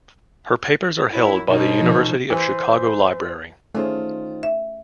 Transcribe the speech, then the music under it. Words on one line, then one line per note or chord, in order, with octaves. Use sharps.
Her papers are held by the University of Chicago Library.
F#2 F#3 E4
D#2 G#2 B2 D#4
C#3 F3
E3 C5
D#3 A3 C#4 F4 G#4 C5
E5